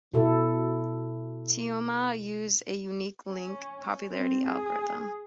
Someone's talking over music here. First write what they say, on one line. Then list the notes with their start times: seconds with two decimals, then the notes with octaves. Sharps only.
Teoma used a unique link-popularity algorithm.
0.14 B2 E4 A4
3.29 C#4
4.09 C4
4.47 G#4